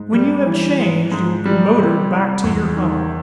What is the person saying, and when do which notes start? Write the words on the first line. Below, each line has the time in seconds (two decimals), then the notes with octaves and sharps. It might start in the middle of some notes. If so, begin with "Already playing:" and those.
When you have changed, you will be motored back to your home.
Already playing: G#2
0.13 G3
0.46 E3
0.79 G#2
1.12 G#2
1.46 G3
1.78 C3
2.11 G3
2.44 E2
2.76 D#3